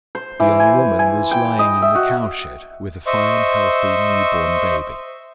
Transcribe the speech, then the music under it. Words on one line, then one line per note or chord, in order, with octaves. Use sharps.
The young woman was lying in the cowshed with a fine, healthy, new-born baby.
C5
E3
G#5
G#5
G5
D#5
E5
F#4
C5 D#5 E5 C#6